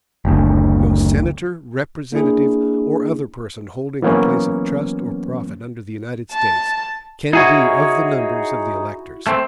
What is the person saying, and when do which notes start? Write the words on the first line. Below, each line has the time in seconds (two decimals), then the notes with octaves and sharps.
No senator, representative, or other person holding a place of trust or profit under the United States, can be of the numbers of the electors.
0.25 F#1 D2
2.12 A#3 D4 E4 G#4
4.02 E3 F#3 A#3 B3 C#4
6.32 A5
7.33 D#4 E4 F#4 G#4 C#5
9.27 A3 C4